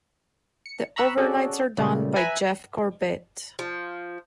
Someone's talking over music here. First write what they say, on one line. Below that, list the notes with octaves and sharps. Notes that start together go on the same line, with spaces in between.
The overnights are done by Jeff Corbett.
C#7
A#5 B5 C#6 E6 F#6
C#4 F#4 G#4 A4 D5
A#2 C#3 G3 A3
B4 E5 G#5 A#5 B5
F3